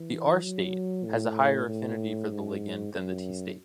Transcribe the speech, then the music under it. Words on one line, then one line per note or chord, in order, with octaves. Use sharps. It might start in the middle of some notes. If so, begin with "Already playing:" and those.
The R state has a higher affinity for the ligand than the T state.
Already playing: E3
F#3
A2
A2
G#2
F#2